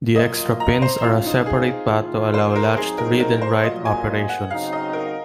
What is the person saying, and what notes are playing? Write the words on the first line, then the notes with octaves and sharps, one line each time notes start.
The extra pins are a separate path to allow latched read and write operations.
F#3 A#3 F4 D#5
A#5
C5
C#3 G#3 C#4 F4
D#4
G#4
D#3 A#3 F4
C5
A#4
F#3 C4 D#4 G#4
A#4
A#4
C5
A#2 F#3 A#3 F4 D#5
G#5
F#5
C#3 F#3 C4 D#4 F5
D#5
A#4